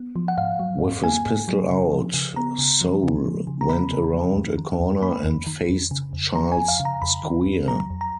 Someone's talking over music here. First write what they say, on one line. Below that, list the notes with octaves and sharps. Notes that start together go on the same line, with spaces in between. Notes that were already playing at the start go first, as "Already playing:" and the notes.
With his pistol out, Soule went around a corner and faced Charles Squier.
Already playing: B3
F3
F#5
G#2 F5
F#3
G#2
A#3 G#5
G#2
F#3
C#3
F3
C#3
B3 A#5
C#3
F3
C#3
F3
C#3
A#5
B3 B5
C#3
F3
F2
D#3
F2
A#3 B5
F2
D#3
F2
C#3
F2
F3 A#5
G#5
F2
F5
C#3
A#5
F2 B5
D#3
F2
F#3 A#5
F2
A#5